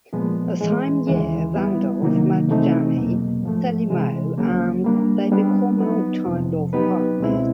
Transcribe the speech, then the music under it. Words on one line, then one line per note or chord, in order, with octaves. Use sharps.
The same year, Vandolph met Jenny Salimao and they become longtime love partners.
A#2 F3 G#3 B3
A2 E3 G#3
D#2 C#3 E3 G#3
G3 B3 E4
C3 D#3 F#3 A#3 D#4
C3 E3 A3 C4 D#4
E2 B2 F#3 A#3
G#2 F3 A3
C3 E3 G#3
C#2 C#3 F#3 A#3
G3 A#3 D4
G3 B3 D4
F#3 B3 D#4
F2 C3 F3
F#3 B3 D#4 G4 B4
C#2 B2 G#3 C4 E4